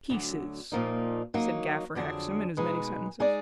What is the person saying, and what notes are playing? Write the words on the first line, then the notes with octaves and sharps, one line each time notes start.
Pieces,' said Gaffer Hexam, in as many sentences.
D2 D3 F#3
A#2 F3 A#3 D#4
F#3 A#3 D#4
F2 D3 F#3 D4 G#4
B2 G#3 D#4 G#4 B4
G#3 D#4 G#4 D5